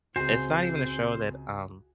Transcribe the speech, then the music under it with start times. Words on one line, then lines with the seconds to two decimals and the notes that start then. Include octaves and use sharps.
it's not even a show that, um,
0.16 C#2 C4 F#4 G#4 C5 G#5